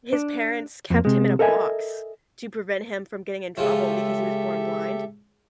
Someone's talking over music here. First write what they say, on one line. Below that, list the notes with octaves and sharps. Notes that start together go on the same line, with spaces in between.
his parents kept him in a box to prevent him from getting in trouble because he was born blind,
D4
F2 A#3
C3 G#3
A4 A#4 D#5 E5 G5 G#5
C#2 C#3 F3 G4 A4 E5